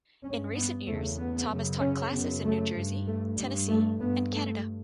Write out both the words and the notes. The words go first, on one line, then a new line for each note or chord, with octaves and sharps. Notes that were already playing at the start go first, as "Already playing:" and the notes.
In recent years Tom has taught classes in New Jersey, Tennessee, and Canada.
G2 C#4
B3
E2 C#3 A3
B3
F#2 C#3
C#4
F#2 C#3 B3
A3
G2
A3
G2 G3
A3
G2 B3
A3